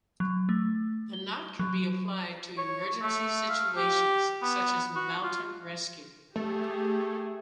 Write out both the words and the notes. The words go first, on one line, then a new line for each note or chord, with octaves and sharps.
The knot can be applied to emergency situations, such as mountain rescue.
F#3
A3
G7
F#3
C#5
A3
F5
G4
B3
F#4
F4
A3 G4 G#4